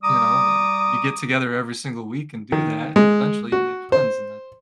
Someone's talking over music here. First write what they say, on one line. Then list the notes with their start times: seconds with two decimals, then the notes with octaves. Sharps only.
you know, you get together every single week and do that, and eventually you make friends, and that's
0.03 G3 A#5 D6 D#6
2.52 D#3
2.96 G#3
3.52 F#4
3.92 C5